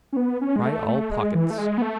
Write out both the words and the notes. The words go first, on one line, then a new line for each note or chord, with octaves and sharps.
Try all pockets.
C#4
B3
C#4
G#3
A3
A3
G#3
E3
A3
G#3
B3
A3